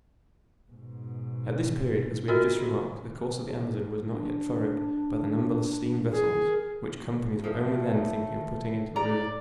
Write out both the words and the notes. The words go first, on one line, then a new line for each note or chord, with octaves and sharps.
At this period, as we have just remarked, the course of the Amazon was not yet furrowed by the numberless steam vessels, which companies were only then thinking of putting into the river.
G#2 B2
F4 F#4 A#4
D4
E3 G#4
A#4
F3 A3
D5 A#5